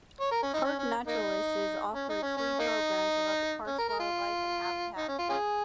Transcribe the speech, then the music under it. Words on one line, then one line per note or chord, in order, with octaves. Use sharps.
Park naturalists offered free programs about the park's wildlife and habitat.
C#5
A#4
C#4
D#4
C#4
C#4
A#3 D#4
C#4
D#4
C#4
C#4
A#3 D#4
C#4
A#4
A#4
F4
D#4
C#4
F4
C#4 F4 G#4